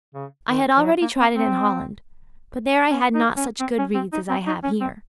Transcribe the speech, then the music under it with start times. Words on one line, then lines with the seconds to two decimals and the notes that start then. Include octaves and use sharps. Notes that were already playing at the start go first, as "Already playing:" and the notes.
I had already tried it in Holland; but there I had not such good reeds as I have here.
0.14 C#3
0.49 D#3
0.76 F3
0.84 F#3
1.02 A#3
1.19 C4
1.35 C4
2.91 C#4
3.14 D#4
3.37 C#4
3.60 C4
3.78 C#4
3.94 C4
4.12 D#4
4.29 C4
4.47 D#4
4.63 C#4
4.81 C4